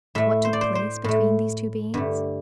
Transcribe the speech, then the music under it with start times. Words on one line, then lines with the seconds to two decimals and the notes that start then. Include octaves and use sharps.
What took place between these two beings?
0.15 A2 A3 E5
0.45 C5
0.53 D5
0.61 C5
0.75 C5
1.04 A2 A3
1.94 G2 D3 A3